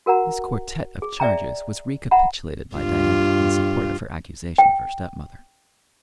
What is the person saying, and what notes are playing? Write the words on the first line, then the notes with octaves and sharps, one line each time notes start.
This quartette of charges was recapitulated by Diana in support of her accusation of her stepmother.
F#4 A#4 F#5 A#5
G#4
D5 E5 G5 A#5
E5 F#5 A#5 B5
G2 F4
G5